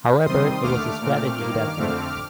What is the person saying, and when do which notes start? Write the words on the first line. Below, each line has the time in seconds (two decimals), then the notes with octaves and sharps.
However, it was a strategy that worked.
0.25 C3 D#3 G3 C4 C6 D#6
0.63 D#2 D3 A3 D6 F6
1.01 A#2 A3 C4
1.39 G2 D#3 A#3
1.76 F2 D3 A3 C4